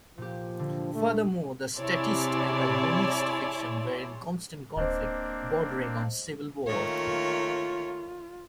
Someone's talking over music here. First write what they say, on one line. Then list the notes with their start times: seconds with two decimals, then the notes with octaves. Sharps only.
Furthermore, the "Statist" and "Vonckist" factions were in constant conflict, bordering on civil war.
0.18 A#2 F3 G4
0.59 D3
0.94 A3
1.77 C3 E4 G#4 C#5 D5 A5 C6
4.77 D1 A#3 C4 D4 C5 D#5
6.67 D#3 A3 A#3 F4 C#5